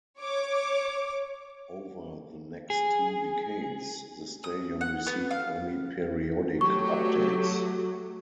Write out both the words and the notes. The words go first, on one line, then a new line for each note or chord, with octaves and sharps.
Over the next two decades, the stadium received only periodic updates.
C#5 D6
G#4
D#6
F#5
B3
F5
F#3 A3 G4 C#6